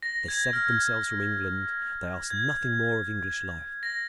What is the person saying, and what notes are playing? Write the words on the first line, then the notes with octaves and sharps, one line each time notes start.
They severed themselves from England; they asked nothing more of English life.
A#6
G#6
F6
G#6
A#6